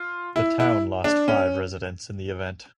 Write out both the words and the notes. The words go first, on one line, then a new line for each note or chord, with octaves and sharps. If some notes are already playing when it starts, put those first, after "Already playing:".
The town lost five residents in the event.
Already playing: F4
E4
E4
D4
C#4